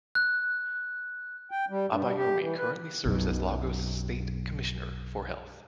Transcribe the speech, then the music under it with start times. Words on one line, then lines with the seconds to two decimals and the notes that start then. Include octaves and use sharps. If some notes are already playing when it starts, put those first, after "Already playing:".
Abayomi currently serves as Lagos State commissioner for health.
0.15 F#6
1.51 G5
1.70 G3
1.89 G2
2.02 G3
2.17 G4
2.39 E3
2.58 B4
3.06 B1 F#2 B2